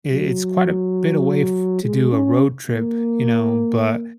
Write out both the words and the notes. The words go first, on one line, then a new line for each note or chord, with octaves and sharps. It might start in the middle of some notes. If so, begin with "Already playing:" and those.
i it's quite a bit away f to do a road trip, you know, but
F#3
G#3
C#4
A#3